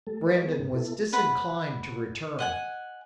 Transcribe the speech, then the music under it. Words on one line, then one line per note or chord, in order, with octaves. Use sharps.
Brandon was disinclined to return.
G3 A3 A4
G3 A#4 C#5 D#5
B3 G#4 B4
G#2
B3 E4 A4
B4 F#5 B5
D#5 F#5 G#5